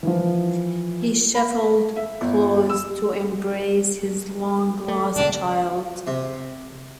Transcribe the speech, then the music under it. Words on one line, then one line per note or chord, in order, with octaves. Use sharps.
He shuffled close to embrace his long lost child.
E3 F3
B5
E5
G1
E6
A3
D#1 C#2 C#3 D4
C3